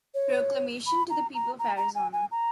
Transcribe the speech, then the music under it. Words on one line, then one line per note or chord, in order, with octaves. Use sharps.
Proclamation to the People of Arizona.
C#5
B5
A#5
A#5
A#5
A#5
G#5
G#5
A#5